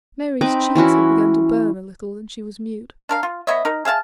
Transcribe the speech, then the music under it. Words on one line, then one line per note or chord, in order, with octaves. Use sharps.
Mary's cheeks had begun to burn a little, and she was mute.
C4 D#4 B4 D6
E3 C#4 E4 F#4
D4 A#4 F5
F4
B3 C#5 D#5 E5
D#4 A#4
G#4 E5 F5 A5